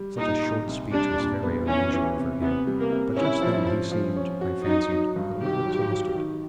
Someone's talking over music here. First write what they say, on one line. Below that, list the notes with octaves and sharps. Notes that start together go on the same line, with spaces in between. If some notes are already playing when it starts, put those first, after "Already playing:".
Such a short speech was very unusual, for him: but just then he seemed, I fancied, a little exhausted.
Already playing: G3
A#2 D#4
A#2
C2
G3 D4
A#2
B3
E3 C#4
E3
C3
C3 B3
G3
A#3
C3
C#4 E4
F3
F3
F3
C#4
F#4
F#3 D#4
F#3
G2
D#3 G4
F#3
F#3
D#3